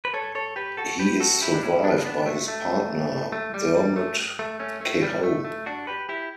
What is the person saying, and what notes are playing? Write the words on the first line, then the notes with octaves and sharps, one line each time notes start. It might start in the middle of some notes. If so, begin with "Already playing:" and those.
He is survived by his partner, Dermot Kehoe.
B4
A4 C#5
A4 C#5
G4 B4
F#4 A4
G4 B4
F#4 A4
E4 G4
D4
C#4 E4
B3 D4
B3 D4
A3
A3
A3
G3
G3
A3
A3
A3 C#4
A3
G3
A3
A3
D4 F#4
G4 B4
E4 G4